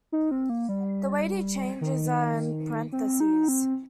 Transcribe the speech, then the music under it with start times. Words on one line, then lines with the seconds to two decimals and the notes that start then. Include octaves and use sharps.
The Wadey changes are in parentheses.
0.12 D#4
0.31 C4
0.50 A#3
0.69 G3
1.81 D#3
2.92 C4
3.20 D#4
3.48 C4